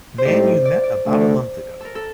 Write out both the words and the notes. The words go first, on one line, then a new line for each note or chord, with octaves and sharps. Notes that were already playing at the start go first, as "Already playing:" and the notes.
Man you met about a month ago.
C5
A2 G3 C4 D#4 G4 D5
D5
D5
D2 D3 A3
A4 A#4
A4